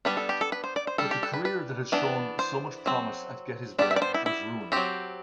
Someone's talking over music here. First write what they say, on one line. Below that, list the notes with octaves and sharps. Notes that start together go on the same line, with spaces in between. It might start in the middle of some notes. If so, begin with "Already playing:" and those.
But the career that had shown so much promise at Gettysburg was ruined.
G3 B3 D4 B4
A4
G4
A4
B4
C5
D5
C5
G3 D4 A4
G4
A4
B4
B4
E3 B3 D4
C5
F#3 C4
G3 B3 D4 D5
E5
D5
C5
E4
E4
F#3 C4 G4